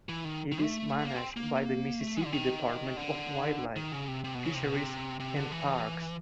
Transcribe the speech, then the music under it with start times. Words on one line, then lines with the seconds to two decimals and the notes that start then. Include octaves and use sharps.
It is managed by the Mississippi Department of Wildlife, Fisheries and Parks.
0.09 E3
0.25 D#3
0.52 D#3
0.62 A3
1.05 A#3
1.16 C4
1.37 A#3
2.00 A3
2.17 G#3
2.25 D3
2.32 D#3
2.97 D3
3.76 D#3
3.92 C#3
4.08 C3
4.24 C3
4.35 B2
4.45 C#3
4.55 C3
4.65 B2
4.74 C3
5.20 C3
5.36 D3
5.52 E3